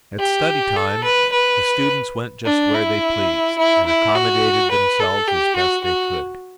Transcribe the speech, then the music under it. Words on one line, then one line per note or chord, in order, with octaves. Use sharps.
At study time the students went just where they pleased, and accommodated themselves as best they could.
G4
A4
B4
B4
D4
E4
E4
E4
F#4
B4
A4
G4
F#4
F#4